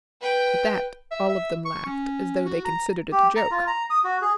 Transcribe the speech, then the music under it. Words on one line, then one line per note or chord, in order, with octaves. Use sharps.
At that all of them laughed, as though they considered it a joke.
B4 G5
E5
E5
C#6
C#4
F#4
A#5
G4
A#5
F4
A#5
D#6
F#4
G#4